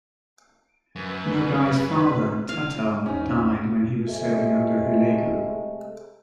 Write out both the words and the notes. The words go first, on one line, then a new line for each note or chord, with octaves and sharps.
Nogai's father Tatar died when he was serving under Hulegu.
F#2 B4
F5
A1 E2 G#2 C#4 D#4
C3 G#3 A3